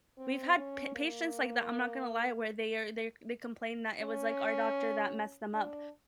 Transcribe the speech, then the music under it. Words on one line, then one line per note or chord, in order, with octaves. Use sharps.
We've had pa patients like that. I'm not gonna lie where they are they they complain that it was, like, our doctor that messed them up.
C4
C#4
A#3
C#4
D4